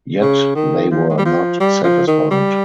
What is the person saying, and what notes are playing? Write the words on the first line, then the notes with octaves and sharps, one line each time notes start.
Yet they were not satisfied.
C#3
D#3
F3
G#3
G3
F3
G3
F3
D#3
G3